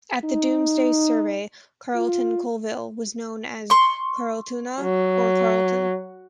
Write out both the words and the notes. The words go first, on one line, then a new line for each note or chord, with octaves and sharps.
At the Domesday survey Carlton Colville was known as Carletuna or Karletun.
D#4
F4
C6 C#6
F#3